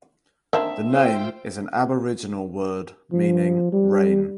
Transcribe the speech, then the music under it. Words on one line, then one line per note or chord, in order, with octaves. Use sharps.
The name is an Aboriginal word meaning rain.
A#3 C4 D4 E5
F4 C5 G5
F3
G3